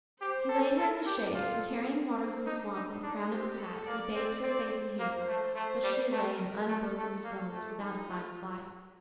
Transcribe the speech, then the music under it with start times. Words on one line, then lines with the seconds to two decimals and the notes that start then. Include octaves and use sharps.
He laid her in the shade, and carrying water from the swamp in the crown of his hat, he bathed her face and hands; but she lay in unbroken stillness, without a sign of life.
0.21 G4 C5
0.49 A4
0.77 A4 A#4
1.06 G4
1.34 F4 A4
2.18 C4
2.46 D4 D#4
2.75 D#4
3.03 D4 D#4
3.30 C4 G4
3.59 A4
3.86 A#3 D5
4.15 C4
4.43 C4 D5
4.71 C5
4.99 A#3 C5
5.28 A3
5.55 A3 C5
5.83 G3
6.12 A3 A#4
6.40 A#4
6.67 A3 A4
6.97 A3
7.24 A#3
7.52 A3
7.81 D#4
8.08 A3 F4